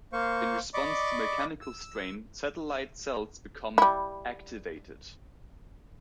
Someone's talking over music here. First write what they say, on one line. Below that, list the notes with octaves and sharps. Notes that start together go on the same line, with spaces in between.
In response to mechanical strain, satellite cells become "activated".
A#3 C5 F5 C#6
D5 D#5 B5 C#6 D6
E6
G3 E4